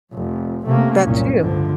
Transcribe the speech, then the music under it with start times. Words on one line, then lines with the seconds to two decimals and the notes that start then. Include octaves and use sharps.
That too.
0.13 F1 F2
0.66 C3 A3 A#3 C#4
1.01 F#1 C2 A#2 C#4
1.39 G1 C#2 A2 D3 F3